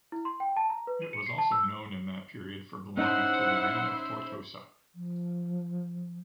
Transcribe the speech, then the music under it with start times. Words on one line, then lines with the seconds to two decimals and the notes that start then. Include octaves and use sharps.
It was also known in that period for belonging to the reign of Tortosa.
0.12 E4
0.25 C6
0.40 G5
0.56 A5
0.70 A#5
0.87 B4
1.02 D#7
1.13 C#7
1.26 C7
1.38 A5
1.52 E6
2.97 C#4 D#4 E4 C5 F#5 E6
4.95 F3